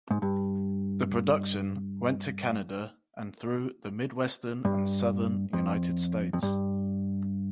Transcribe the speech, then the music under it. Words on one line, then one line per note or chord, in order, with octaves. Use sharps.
The production went to Canada and through the midwestern and southern United States.
G#2
G2
G2
F2
F2
G2